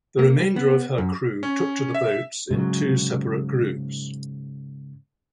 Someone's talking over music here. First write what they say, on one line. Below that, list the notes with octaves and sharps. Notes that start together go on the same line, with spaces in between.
The remainder of her crew took to the boats in two separate groups.
A#3
G3
B3
F#2
C#4
E5
G#2 C#3 F#3